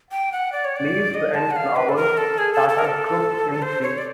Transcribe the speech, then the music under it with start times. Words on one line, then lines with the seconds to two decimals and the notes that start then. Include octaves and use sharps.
Leaves and flowers that are grouped in threes.
0.12 G5
0.32 F#5
0.52 D5
0.65 C#5
0.76 D5
1.14 D#5
1.34 A5
1.51 F#5
1.56 F5
1.76 B4
1.89 A4
1.97 A#4
2.17 A4
2.38 G#4
2.53 A4
2.69 A4
2.79 A#4
2.85 A4
3.62 C5
3.82 C#5
3.98 D5